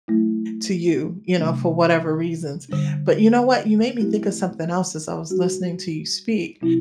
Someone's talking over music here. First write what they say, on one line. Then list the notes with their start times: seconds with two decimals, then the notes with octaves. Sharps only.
to you, you know, for whatever reasons, but you know what, you made me think of something else as I was listening to you speak,
0.08 F#3 A3 E4
1.38 C3 F#3 A3 D4
2.69 D3 G3 D4
3.99 F#3 A3 C4 E4 G4
5.30 G3 D4 F#4
6.61 C3 F#3 C4 E4